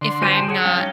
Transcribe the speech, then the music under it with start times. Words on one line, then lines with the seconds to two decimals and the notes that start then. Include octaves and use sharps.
if I'm not
0.01 D3 C6
0.22 F#4 C5 G#5
0.34 G5 A5
0.48 G#4 C#5 F#5
0.65 G3 C#4 F5 G5 A5
0.78 F#3 D#4 C#5